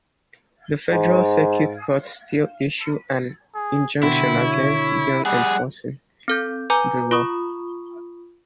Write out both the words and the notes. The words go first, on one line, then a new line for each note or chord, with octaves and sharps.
The federal circuit court still issued an injunction against Young enforcing the law.
G#2
G#4
B2 D3 C4 E4 F#4
C#5
G3 G#4 F#5
C4 A4 G6
B4 G#5 A#5 D6 G6
F4 B5 C#6 D#6